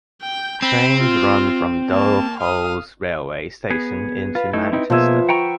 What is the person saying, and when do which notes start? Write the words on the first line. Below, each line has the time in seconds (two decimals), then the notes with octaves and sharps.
Trains run from Dove Holes railway station into Manchester.
0.22 G5 G6
0.62 C4 B5
0.98 F4
1.90 A#3 A5
2.39 F5 D#6
3.70 B3 G#4
4.35 F4 B4
4.53 A3 D#4 E4
4.73 C4 D#4 E4
4.90 B2 F3 A#3 G#4 E5
5.29 F#5 G5 A#5 C#6